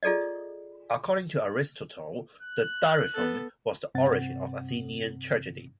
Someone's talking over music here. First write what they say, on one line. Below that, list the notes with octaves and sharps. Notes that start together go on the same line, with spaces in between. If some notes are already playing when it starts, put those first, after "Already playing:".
According to Aristotle, the dithyramb was the origin of Athenian tragedy.
F4 G#4 A4 D5 D#5
F#6
B3 A4
G2 C3 C4 F#5 A6